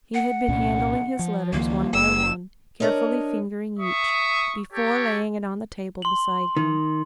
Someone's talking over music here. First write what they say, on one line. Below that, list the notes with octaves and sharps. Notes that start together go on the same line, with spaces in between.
He had been handling his letters, one by one; carefully fingering each, before laying it on the table beside him.
F#5
C2 A#2 C#4
F3
C#2 D#3 F3 A#3
F#1 E6
D4 A#4 C#5 D#5
E5 C#6 D#6
G4 A4 C#5
C6 F#7
D#3